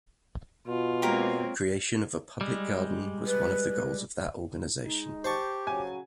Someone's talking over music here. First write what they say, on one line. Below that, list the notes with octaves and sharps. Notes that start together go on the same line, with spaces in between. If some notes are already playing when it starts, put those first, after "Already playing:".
Creation of a public garden was one of the goals of that organization.
B2 F4
G#3 A#3 C4 G4 A#4 C#5
G3 G#3
B4
G#3 D#4
G4 C5 A5 C#6
C#3 F#3 G#5